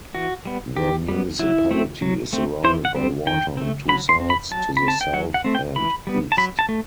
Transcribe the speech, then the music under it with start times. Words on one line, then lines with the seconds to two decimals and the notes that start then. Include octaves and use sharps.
The municipality is surrounded by water on two sides, to the south and east.
0.15 E3 F#4
0.45 G3 B3
0.76 D#3 G4
1.08 G3 B3
1.39 F#3 E4
1.71 A3 C4
2.02 F#3
2.33 A3 C4
2.64 E3 C5
2.85 F#5
2.95 G3 C4
3.27 D#3 G5
3.57 A3 C4
3.89 F#3 B5
4.09 C6
4.20 C4
4.30 B5
4.51 F#3 A5
4.77 B5
4.82 C4
4.88 A5
5.01 G5
5.13 F#3 F#5
5.34 F#5
5.44 A3 C4
5.55 G5
5.76 E3 B5
6.07 G3 B3
6.32 A5
6.37 F#3 B5
6.59 A5
6.69 A3